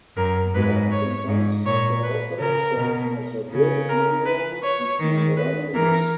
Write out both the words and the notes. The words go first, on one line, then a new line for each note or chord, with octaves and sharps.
The app combines the offerings of Mazhavil Manorama and Manorama News.
F#2 A#4
G#2 B4
C#5
G#2
A#2 C#5
B4
C#3 A#4
B2
C#3
A#4
B4
C#5
D#3
B4
E3 A#4